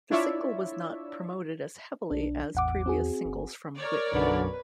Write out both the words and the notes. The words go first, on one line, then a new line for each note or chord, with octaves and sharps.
The single was not promoted as heavily as previous singles from "Whitney".
D4 E4 F4 C#5 D5 E5
B1 D4
A1 E2 F#5 D6
C4 F#4 G#4
G1
A#4 C#5 D5
B1 F#2 D3 B4